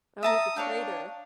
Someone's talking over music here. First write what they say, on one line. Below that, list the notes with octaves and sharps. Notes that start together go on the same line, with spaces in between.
Oh, he's a traitor.
E5 A5 A#5 D#6
D4 C#5 F5 G5